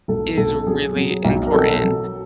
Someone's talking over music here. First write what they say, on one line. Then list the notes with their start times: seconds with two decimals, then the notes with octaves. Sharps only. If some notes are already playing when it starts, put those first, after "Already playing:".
is really important.
0.08 B1 A4
0.37 B1 A4
0.66 F#3 G#4
0.96 F#3
1.25 B1
1.47 A#4
1.53 F#3 A4
1.83 F#3